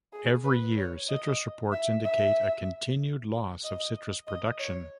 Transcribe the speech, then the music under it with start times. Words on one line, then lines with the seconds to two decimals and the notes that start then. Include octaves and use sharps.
Every year citrus reports indicate a continued loss of citrus production.
0.13 G#4
0.44 B4
0.77 C#5
1.09 D#5
1.73 E5
2.04 E5
3.64 D#5
4.27 D#5
4.59 C#5